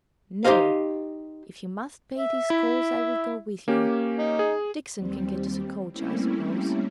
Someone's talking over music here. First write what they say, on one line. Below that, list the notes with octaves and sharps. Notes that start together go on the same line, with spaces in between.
No; if you must pay these calls, I will go with you. Dixon can get us a coach, I suppose?'
D#4 G4 G#4 C5 D#5 F5
E5
E4
A#3 C#4 G4
D#4
G#4
D#2 G3 C4
G3 A3 A#3 C4 C#4 E4